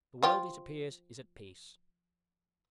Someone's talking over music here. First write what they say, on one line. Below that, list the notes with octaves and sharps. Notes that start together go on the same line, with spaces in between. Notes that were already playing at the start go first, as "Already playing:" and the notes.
The world, it appears, is at peace.
F3 F4 G4